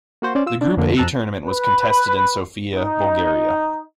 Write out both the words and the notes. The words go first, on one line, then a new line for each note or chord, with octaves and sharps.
The Group A tournament was contested in Sofia, Bulgaria.
A#3 F#4 C5
C#4 C5 D5
F4 E6
D4
F2 D3 A#3
F2 A5 A#5 E6 F#6
B4
D#4